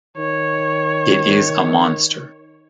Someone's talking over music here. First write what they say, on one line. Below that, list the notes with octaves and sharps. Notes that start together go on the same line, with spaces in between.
It is a monster.
D#3 C#5